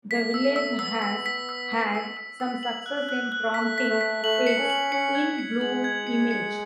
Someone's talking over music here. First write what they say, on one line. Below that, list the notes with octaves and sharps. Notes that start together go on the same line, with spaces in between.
The village has had some success in promoting its "in bloom" image.
A3 B6
E6
A3
E6
B3 E6
E6
B6
E6
E6
E6
E6
E6
F#7
F#6
F#6
F#6
A3 B6
B6
A3
B6
A3 F#7
C#7
C#4
F#7
C#4 C#7
G#6
C#7
G#3 F#7
G#6
C#7
C#7